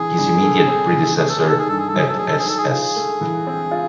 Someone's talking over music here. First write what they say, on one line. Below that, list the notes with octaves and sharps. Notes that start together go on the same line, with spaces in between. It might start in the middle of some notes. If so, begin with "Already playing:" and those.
His immediate predecessor at Ss.
Already playing: E3 C4 G#4
G2
A3
C4
E3
A3 G#4
A4
G#4
D#3 A4
G#4
G2 A4
G#4
A4
F#3 G#4
A4
A3 G#4
A4
G#4
D#3 A4
G#4
F4 G#4
A3
E3
C4
F4